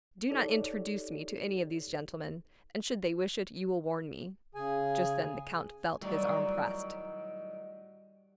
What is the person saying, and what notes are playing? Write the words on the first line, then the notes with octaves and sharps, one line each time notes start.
"Do not introduce me to any of these gentlemen; and should they wish it, you will warn me." Just then the count felt his arm pressed.
D#4 G4 A4 C#5 D5
C#3 G#4 G#5
A2 D#3 F#3 G3 D5